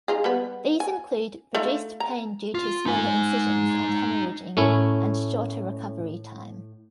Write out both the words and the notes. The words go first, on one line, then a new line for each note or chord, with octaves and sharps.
These include reduced pain due to smaller incisions and hemorrhaging, and shorter recovery time.
D#4 F4 G#4
G3 B3 B4
G#5
A3 D#4 F4
A#5
F4
D#4 G#5
A2 A3 C#4 E4 A#4